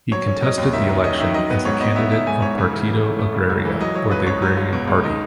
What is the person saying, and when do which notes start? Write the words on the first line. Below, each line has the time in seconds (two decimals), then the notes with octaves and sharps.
He contested the election as a candidate of "Partido Agraria", or the Agrarian Party.
0.12 F#3 C#5
0.27 C#4
0.42 F#3 D#5
0.58 D#2
0.73 D#3 E5
0.89 F#3
1.04 C#4 D#5
1.19 D#3 E5
1.34 F#3 D#5
1.50 B3 B4
1.65 G#2 C#5
1.80 B3 D#5
1.96 B3 E5
2.11 G#2 E5
2.27 G#2 G#5
2.42 G#2 C#5
2.58 C#3
2.73 E3
2.88 E3
3.04 A3
3.19 A3
3.35 C#3
3.50 C#2
3.65 E3
3.81 F#3 D#5
3.95 F#3 C#5
4.11 C#2 B4
4.26 C#2 C#5
4.42 F#3
4.57 C#2
4.73 B2
4.88 C#2
5.04 D#4